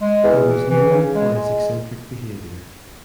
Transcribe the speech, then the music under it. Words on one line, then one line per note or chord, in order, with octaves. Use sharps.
He was known for his eccentric behavior.
G#3
E2
E3
E3
C#3
G#3
G#3